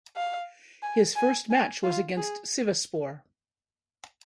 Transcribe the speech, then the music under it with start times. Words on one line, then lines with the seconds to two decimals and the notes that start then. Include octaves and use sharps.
His first match was against Sivasspor.
0.16 F5
0.83 G#5
1.16 G#5
1.51 G#5
1.84 F4
2.17 G#4